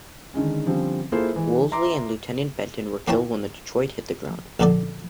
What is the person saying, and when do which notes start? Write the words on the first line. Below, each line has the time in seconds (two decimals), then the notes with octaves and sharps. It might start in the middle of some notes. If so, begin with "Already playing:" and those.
Woolsley and Lieutenant Benton were killed when the Detroit hit the ground.
0.34 D3 D#3 G#3 C#4
0.66 D3 F3 G3 C4 C#4
1.12 A#3 E4 F4 G#4 A4 C5
1.33 E3 G#3
1.72 E5 A#5 C6 D6
3.08 A#3 C#4 E4 G5 A5
4.60 A#1 A#2 D3 A4 D5